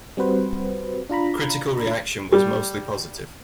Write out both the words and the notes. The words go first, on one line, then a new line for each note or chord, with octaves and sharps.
Critical reaction was mostly positive.
G3 C4 F#4 B4 C5
D4 F4 A#5 B5
G3